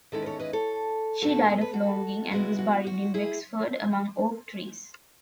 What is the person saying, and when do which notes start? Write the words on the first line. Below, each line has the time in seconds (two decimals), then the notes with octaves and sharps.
She died of longing and was buried in Wexford among oak trees.
0.12 E2 D#3 G#3 C#4 E4 A4 C#5
0.22 B4
0.26 A4 C#5
0.39 B4 D#5
0.53 A4 C#5
1.22 E2 B2 A3 F#4 A4
1.50 A4
1.61 B4
1.73 F#4 A4
2.31 C#3 G#3 B3 E4 F#4
2.59 F#4
2.87 F#4
3.14 E4 G#4